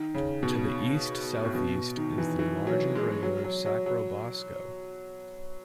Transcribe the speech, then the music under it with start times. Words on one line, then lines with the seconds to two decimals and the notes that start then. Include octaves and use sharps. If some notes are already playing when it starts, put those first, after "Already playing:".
To the east-southeast is the large and irregular Sacrobosco.
Already playing: D#3
0.14 C#3
0.43 B2
1.45 A2
1.55 B2
1.76 B2
1.97 D#3
2.18 E3
2.39 E3
2.67 F#3
2.95 G#3
3.23 F#3
3.44 F#3
3.66 F#3
3.86 F#3